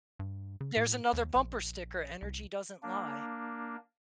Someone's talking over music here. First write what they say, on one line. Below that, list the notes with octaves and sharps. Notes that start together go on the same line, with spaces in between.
There's another bumper sticker. Energy doesn't lie.
G2
C#3
A2
D#2
A#1
C2
A#3 D4